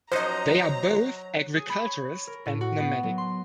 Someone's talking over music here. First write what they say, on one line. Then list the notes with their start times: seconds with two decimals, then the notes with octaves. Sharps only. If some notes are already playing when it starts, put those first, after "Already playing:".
They are both agriculturists and nomadic.
0.12 F3 F#3 C#4 D#4 C5 D#5 A#5
1.55 G#4
1.70 B5
1.85 C#5
2.27 A#4
2.46 A2
2.61 F#4
2.79 B3
3.03 F#3
3.18 C6